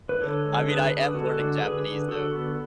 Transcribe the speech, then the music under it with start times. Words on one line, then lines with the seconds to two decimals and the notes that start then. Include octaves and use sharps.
Yeah. I mean, I am learning Japanese though,
0.09 B4
0.21 D3 A4 C#5
0.44 G#3
0.67 D3 G#4 B4
0.91 D3
1.15 G#3 F#4 A4
1.39 D3
1.61 D3 G#4 B4
1.85 D3
2.08 D3 F#4 A4
2.32 B3